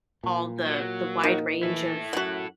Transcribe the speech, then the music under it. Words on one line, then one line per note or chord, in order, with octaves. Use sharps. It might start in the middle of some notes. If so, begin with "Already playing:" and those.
all the the wide range of
A#2
F#3 A#3
D#3
E3 E4 A4
F#2 F#4 F#5